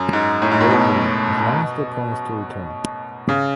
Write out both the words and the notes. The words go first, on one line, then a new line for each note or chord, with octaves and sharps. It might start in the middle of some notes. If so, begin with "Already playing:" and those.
Baldy as long as they promised to return.
Already playing: F#2
G#2
A2
G#2
A2
B2
C#3